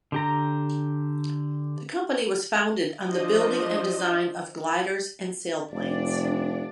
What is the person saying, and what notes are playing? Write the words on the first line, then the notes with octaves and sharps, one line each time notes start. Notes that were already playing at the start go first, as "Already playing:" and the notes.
The company was founded on the building and design of gliders and sailplanes.
D3 G4 A#5
F3 D4 F4 C5 D#5
F1 D4 D5